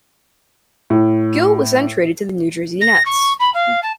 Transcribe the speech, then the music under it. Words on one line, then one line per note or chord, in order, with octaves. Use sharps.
Gill was then traded to the New Jersey Nets.
A2
A#6
C#6
B5
F5
A5